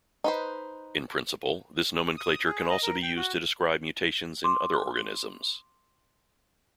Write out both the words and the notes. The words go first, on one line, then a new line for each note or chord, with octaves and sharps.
In principle, this nomenclature can also be used to describe mutations in other organisms.
D#4 B4 C5
D#6
G#4
D#5
A#4
G5
F#4
C6 D6